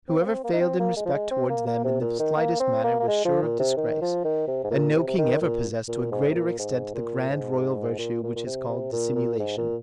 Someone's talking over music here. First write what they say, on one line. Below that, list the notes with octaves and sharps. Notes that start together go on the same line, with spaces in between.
Whoever failed in respect towards them in the slightest manner was sure of disgrace, and no king ever possessed to a greater extent the grand royal virtue which is called dissimulation.
C4
A#3
C4
A#3
D#4
C4
A#3
G#3
F3
G#3
C4
A#3
A#3
C3
A#2
D#3
A#3
C4
A#3
A#3
G#3
F3
A#2
C3
D#3
F3
D#3
C3
G#2
A#2
C3
C3
D#3
A#2
A#2
G#2
C3
A#2
G#2
A#2
G#2
A#2
A#2
A#2
C3
C3
A#2
A#2
G#2
A#2